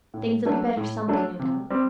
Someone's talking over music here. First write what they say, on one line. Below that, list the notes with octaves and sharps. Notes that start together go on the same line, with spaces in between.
Things'll be better some day, no doubt.'
A2
F#3 A3 D4 A4
A2
F#3 A3 D4 A4
C3
G3 C4 G4